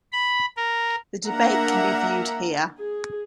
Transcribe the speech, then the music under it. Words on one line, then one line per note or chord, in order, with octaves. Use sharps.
The debate can be viewed here.
B5
A#4
A#3 D4 A#4 E5 F#5 A#5
G#4